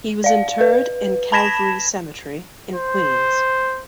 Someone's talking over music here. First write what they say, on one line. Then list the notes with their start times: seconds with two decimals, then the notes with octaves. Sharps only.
He was interred in Calvary Cemetery in Queens.
0.24 D5 F5
0.61 B4
1.32 A5 B5 G#6 A#6 B6 E7
2.75 C5